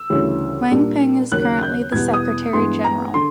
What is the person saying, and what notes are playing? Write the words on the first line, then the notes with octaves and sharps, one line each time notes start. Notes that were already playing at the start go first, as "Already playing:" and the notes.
Wang Ping is currently the Secretary-general.
Already playing: E6
D2 C#3 E3 G3
A#2 G3 A#3 D4
D#2 C#3 F#3 A#3 F#6
G6
E2 B2 G3 B3 G#6
D#6
G2 E3 G#3 B3 C6
A#5
D3 C6